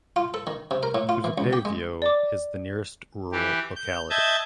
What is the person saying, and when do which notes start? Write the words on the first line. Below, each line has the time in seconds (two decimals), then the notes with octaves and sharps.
Kusepeyevo is the nearest rural locality.
0.16 F4
0.34 A4
0.47 D#3
0.71 C3
0.83 A#4
0.95 A2
1.09 F4
1.24 E3
1.38 C#2
1.53 G4
1.65 G#3
2.02 D5 D6
3.32 E3 G4
3.76 G6
4.10 D#5 E5 A5 G6 G#6